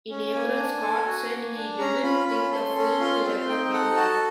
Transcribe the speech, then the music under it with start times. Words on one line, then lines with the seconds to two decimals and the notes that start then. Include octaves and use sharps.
In April, Scott said he didn't think the film will ever be made.
0.10 C#4
0.34 A#3 G#5
0.59 D4
0.82 A4
1.06 F#4
1.31 A#3
1.55 D4
1.79 C#4 A#5
2.03 F4 B5
2.27 C#4 B5
2.51 A4 C6
2.76 C#4 C6
3.00 F4 C6
3.24 C4 C6
3.49 D#4 G5
3.73 A4 F#5
3.96 F#4 A5